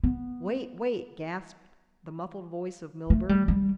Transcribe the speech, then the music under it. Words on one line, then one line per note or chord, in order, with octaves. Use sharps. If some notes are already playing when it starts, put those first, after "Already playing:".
"Wait, wait!" gasped the muffled voice of Milburgh.
B3
A3
G3
G3